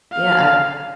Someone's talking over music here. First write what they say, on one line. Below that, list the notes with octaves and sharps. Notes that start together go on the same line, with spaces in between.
yeah, I've
F5